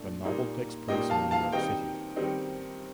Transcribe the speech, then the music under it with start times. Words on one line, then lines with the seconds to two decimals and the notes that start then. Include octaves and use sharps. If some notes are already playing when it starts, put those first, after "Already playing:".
The novel takes place in New York City.
Already playing: A#2 A3 D4
0.25 A#2 G3 A#3 D#4
0.88 A#2 G3 A#3 D#4 D#5 G5
1.10 F5 A5
1.31 F5 A5
1.53 D#3 G3 C4 D#4 D#5 G5
2.16 D#3 G3 C4 D#4